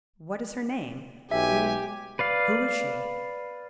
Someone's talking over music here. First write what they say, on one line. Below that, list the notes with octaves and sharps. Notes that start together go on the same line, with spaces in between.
"What is her name?--who--who is she?"
B1 G4 E5 G#5
B4 D5 F5